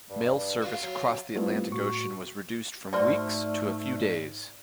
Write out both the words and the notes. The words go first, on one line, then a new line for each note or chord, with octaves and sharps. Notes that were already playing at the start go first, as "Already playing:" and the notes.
Mail service across the Atlantic Ocean was reduced from weeks to a few days.
G2
F#4 F5
F#3
G3 A3 B3 C4 E4 F4
A2 F#4 C#6
G#2 A3 F#4 C5 D5 F6